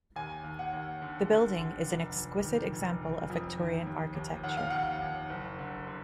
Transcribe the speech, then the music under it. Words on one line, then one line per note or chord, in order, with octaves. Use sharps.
The building is an exquisite example of Victorian architecture.
D#2 G#5
D#2
F#5
D#2
D3
D3
D3
F1
F1
D#3
F1
F1
F2
D#3
D#2
D#2
D#2 F#5
F5
D#2 F#5
D#2
F#1
D3
D3